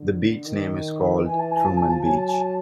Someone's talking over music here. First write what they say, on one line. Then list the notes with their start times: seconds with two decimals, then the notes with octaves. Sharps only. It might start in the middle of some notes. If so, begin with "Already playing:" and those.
The beach name is called Truman Beach.
Already playing: D3
0.45 D#3
1.25 E3 G#5
1.39 A5
1.51 G#5
1.64 F3 A5
1.76 G#5
1.89 A5
2.02 F#3 G#5
2.16 A5
2.28 G#5
2.40 A5